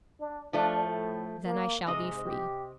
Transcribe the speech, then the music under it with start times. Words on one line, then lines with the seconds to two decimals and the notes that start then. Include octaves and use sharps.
'Then I shall be free.'
0.20 D4
0.53 F3 A3 D4
0.84 A2
1.45 A#3
1.87 G#2 C3 D#5
2.25 G4